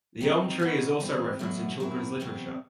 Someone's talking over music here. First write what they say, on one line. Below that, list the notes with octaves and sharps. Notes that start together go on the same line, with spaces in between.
The Elm Tree is also referenced in children's literature.
D#3 F#3 C4 D#4
E3 B3 D#4 F#4
E3 G3 C4
E2 B2 F#3 A3
F#2 F#3 C4 E4
E2 C3 F#3 C4